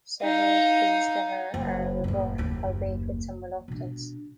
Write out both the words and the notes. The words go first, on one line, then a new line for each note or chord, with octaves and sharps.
Severo's pleas to her are rebuffed, albeit with some reluctance.
D#4 F5
F#1
F#1 A2
F#1 D#2
B2 D4